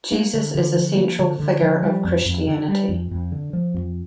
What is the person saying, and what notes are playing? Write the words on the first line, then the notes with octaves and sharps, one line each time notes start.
Jesus is the central figure of Christianity.
A#3
D3
D3
F3
A#3
D3
D3
F3
G3
F2
F2
D3
G3
F2
F2
D3
F3
F2